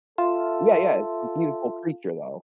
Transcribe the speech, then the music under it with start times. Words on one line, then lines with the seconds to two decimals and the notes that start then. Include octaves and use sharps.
Yeah, yeah, it's a beautiful creature, though.
0.18 F4 A4 E5 C6